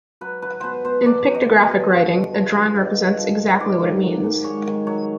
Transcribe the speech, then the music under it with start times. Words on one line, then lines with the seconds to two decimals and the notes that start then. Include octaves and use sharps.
In pictographic writing, a drawing represents exactly what it means.
0.21 F#3 B4
0.42 F#3 B4
0.60 B2 B4 C5
0.85 B2 C5
1.06 F#3 D5
1.27 F#3
1.35 D#5
1.49 B2
1.63 D#5
1.70 B2
1.91 G2
2.12 D3
2.34 F3
2.54 G2
2.76 G2 D#5
2.96 D3
3.18 F3
3.39 G2
3.48 D#5
3.60 G#2 D5
3.80 D#3
4.03 F#3
4.24 G#2
4.44 G#2 C#5
4.66 D#3
4.87 F#3 C#5